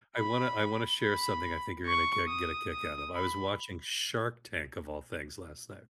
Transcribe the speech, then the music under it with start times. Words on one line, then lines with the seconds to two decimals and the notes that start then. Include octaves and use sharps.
I wanna I wanna share something I think you're gonna kick get a kick out of. I was watching Shark Tank, of all things, last night,
0.16 B5
1.00 B5
1.85 C#6
2.28 D#6
2.71 D#6
3.14 B5